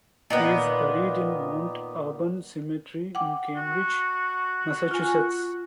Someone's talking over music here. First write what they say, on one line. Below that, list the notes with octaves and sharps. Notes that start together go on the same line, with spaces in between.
He is buried in Mount Auburn Cemetery in Cambridge, Massachusetts.
A#2 D#3 B3
F#5 G5 D6
F#4
F4 G#5